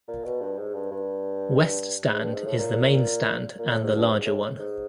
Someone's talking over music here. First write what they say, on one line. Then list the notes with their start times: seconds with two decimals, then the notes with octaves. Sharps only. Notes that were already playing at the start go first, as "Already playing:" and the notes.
West Stand is the main stand and the larger one.
0.08 A#2
0.24 B2
0.41 G2
0.58 G#2
0.74 G2
0.91 G2
2.08 G#2
2.20 G2
2.34 G#2
2.46 A2
2.58 A#2
3.59 A#2
3.71 A2
3.84 G#2
3.97 G2
4.09 G#2
4.26 A2
4.59 G#2